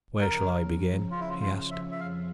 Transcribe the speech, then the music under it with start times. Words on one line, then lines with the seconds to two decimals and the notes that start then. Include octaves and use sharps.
"Where shall I begin?" he asked.
0.21 C#3 F3 C#4 A#4
1.11 F4
1.20 E4
1.29 F4
1.40 F4
1.71 E5
1.92 E5
2.00 F2 C#3 F3 F5